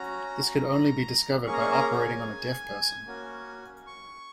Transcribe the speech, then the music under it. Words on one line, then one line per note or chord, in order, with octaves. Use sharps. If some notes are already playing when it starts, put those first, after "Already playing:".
This could only be discovered by operating on a deaf person.
Already playing: C#4 F#4 A#5
A#3 C#4 G#4 C#6
A#5
C#6
A#5
A#5
G#5
A#3 C#4 F#4
C#6